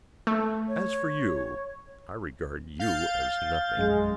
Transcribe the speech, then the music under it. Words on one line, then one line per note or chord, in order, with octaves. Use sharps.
"As for you, I regard you as nothing."
A3
C#5
F5 G6 A6
A#1 F#2 G#3